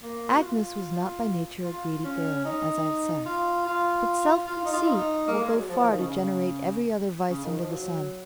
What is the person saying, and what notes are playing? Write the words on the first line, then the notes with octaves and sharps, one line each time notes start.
Agnes was not by nature a greedy girl, as I have said; but self-conceit will go far to generate every other vice under the sun.
A#3
F#4
F4
F4
C#4
D#4
F4
F4
F4
D#4
F4
D#4
A#3
G#3
F#3
F3
F3
D#3
C#3
C#3
C#3
D#3
F3
F#3